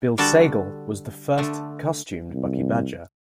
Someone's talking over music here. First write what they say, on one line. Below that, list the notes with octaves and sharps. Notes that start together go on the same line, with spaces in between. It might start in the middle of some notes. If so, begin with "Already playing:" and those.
Bill Sagal was the first costumed Bucky Badger.
D3 G3 F#4 A4 A5
D3 A3
C2